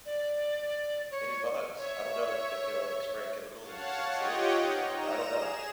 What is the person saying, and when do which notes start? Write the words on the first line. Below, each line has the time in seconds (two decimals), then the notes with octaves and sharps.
any bugs. I don't know if they were, like, spraying chemicals and we just didn't see it or something, I don't know.
0.06 D5
1.11 C#5
1.78 C#5 E5
3.62 C#5 F5 F#5 A5
4.09 F4 G4 C#5 D#5 F#5 G5
4.58 D#4
4.90 A#5 E7
5.32 G#4 E7